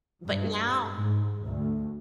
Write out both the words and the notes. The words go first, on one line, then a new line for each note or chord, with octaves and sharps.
but now
G2
G#2
D2